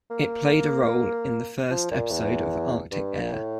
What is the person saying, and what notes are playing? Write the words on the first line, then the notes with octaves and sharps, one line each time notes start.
It played a role in the first episode of "Arctic Air".
A#3
F3
A#2
E2
G2
A#2
A2